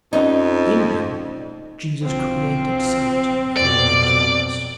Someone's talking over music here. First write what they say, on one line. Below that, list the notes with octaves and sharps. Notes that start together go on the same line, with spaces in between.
In him Jesus created sight before men's eyes.
F2 C#4 D#4 D5
B1 F3 C4
F2 B2 F#3 D5